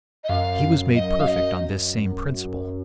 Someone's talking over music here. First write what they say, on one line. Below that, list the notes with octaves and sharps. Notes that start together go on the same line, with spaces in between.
He was made perfect on this same principle.
D#5
F#2 F5
D#5
F5
D#5